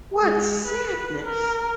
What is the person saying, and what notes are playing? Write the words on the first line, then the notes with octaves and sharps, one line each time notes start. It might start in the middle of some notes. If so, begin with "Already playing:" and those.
what sadness.
G#3
B4
A#4